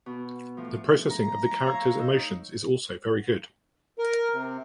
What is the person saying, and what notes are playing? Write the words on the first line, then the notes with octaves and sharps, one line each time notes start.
The processing of the characters’ emotions is also very good.
B2
A2 F3
A#5
C#5 F5 E6
D#4 E6 G6
A#4
C3